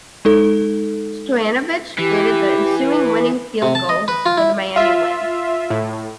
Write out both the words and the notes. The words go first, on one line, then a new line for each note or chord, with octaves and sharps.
Stoyanovich booted the ensuing winning field goal for the Miami win.
G#3 D#4 A4
E3 G4
B4
C3
A5
D#5
B4
F4
E4
F4 E5
A2